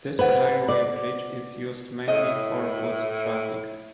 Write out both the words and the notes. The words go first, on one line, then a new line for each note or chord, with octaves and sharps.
This railway bridge is used mainly for goods traffic.
B4 C5 F#5
D5
A2 D#5